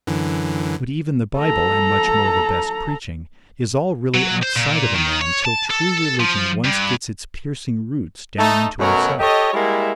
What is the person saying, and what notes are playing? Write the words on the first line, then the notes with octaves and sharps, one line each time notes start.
But even the Bible, and, much more, the best preaching, is all really outside of a man till true religion once gets its piercing roots down into himself.
F#2 D3 E3
A4 A#5
F#3
C5
A#2
D#3
C#5
A5
A4
F3
G2
A3 D#4
F#2 B2 F#3 A3 A#4 C#5
G4 A4 C#5 D#5
G3 G#3 A#3 E4